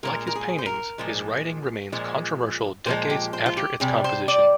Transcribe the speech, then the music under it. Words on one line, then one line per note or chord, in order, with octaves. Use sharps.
Like his paintings, his writing remains controversial decades after its composition.
A#2 F3 G#3 A#4
A#4
G#4
C5
A#4
A#2 F3 G#3
A#2 F3 G#3
A#2 F3 G#3 C5
G4
C5
F4
G4
C3 G3 G#4
C5
D5